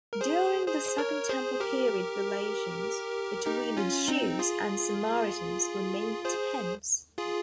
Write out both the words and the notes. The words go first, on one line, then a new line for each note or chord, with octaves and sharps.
During the second Temple period relations between the Jews and Samaritans remained tense.
A#4
G#4 C5
G#4 C5
A#4 C#5
G#4 C5
G4 A#4
D#4 G4
C#4 F4
C4 D#4
F4 G#4
G#4 C5
F4 G#4